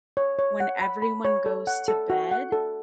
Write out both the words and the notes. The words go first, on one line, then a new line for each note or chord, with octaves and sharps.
when everyone goes to bed
C#5
C#5
F#5
B5
B5
C#5
A4
F#5
A4
F#4
F#5
A4